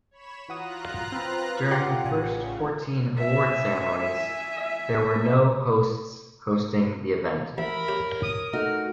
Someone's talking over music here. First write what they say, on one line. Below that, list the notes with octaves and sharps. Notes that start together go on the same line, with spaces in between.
During the first fourteen award ceremonies, there were no hosts hosting the event.
C#5 B5 E7
E3 F4 F#4 A#5 D#6 F#6
C4 B4
A2 F4 G4 D5 F#5 A#5 C6
A1 C#3 D5 G#5
E5 G#5
A1 A#4 E5 B5
G4 C#5
D#6
A3 D#4 F#4 A#4